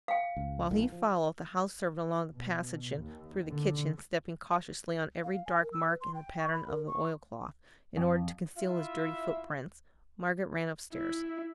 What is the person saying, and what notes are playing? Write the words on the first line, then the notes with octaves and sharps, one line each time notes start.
While he followed the house-servant along the passage, and through the kitchen, stepping cautiously on every dark mark in the pattern of the oil-cloth, in order to conceal his dirty foot-prints, Margaret ran upstairs.
F5 G5
C#2
B1 A#2 D#3
F3
B2
D#2
D3
F5
G#5
A#4
E6
B4
C6
G5
C#6
B5
A#4
C#6
F2
E4 F4 E5
E4